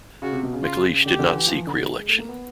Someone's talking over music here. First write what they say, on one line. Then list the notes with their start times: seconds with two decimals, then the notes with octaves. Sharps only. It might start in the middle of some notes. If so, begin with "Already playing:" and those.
McLeish did not seek re election.
0.22 C#3 F#4
0.33 C3
0.43 B2
0.53 C#3
0.64 F4
1.05 D3 G4
1.19 D3
1.32 E3
1.47 F3
1.57 E3
1.67 D3
1.77 D3
1.97 G#3
2.09 A3
2.18 A#3
2.28 B3